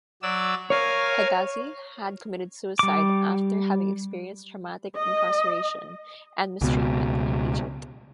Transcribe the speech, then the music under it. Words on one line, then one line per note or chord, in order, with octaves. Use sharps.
Hegazi had committed suicide after having experienced traumatic incarceration and mistreatment in Egypt.
F#3 D5 E6
A#4 C#5 F5 G#5
G3 D6
D#5
C#2 B2